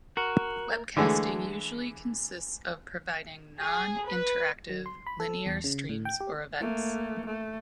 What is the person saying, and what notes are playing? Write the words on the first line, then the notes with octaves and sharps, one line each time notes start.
Webcasting usually consists of providing non-interactive linear streams or events.
F#4 A#4
D3 E3 G#3 A3
G#4
B4
F#3
C6
B5
A4
E2
C#3
A2
G5
G4
A3 A#3
A3